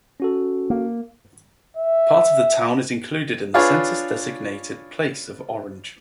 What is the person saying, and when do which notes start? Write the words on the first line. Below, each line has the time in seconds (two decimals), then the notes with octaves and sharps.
Part of the town is included in the census-designated place of Orange.
0.20 C#4 F#4 A4
0.70 A#3
1.77 E5
3.54 D4 F4 G#4 B4 C#5